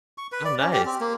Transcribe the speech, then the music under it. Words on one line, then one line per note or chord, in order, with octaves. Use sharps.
Oh, nice.
C#6
B4
D5
C#4
G4
C4
A#3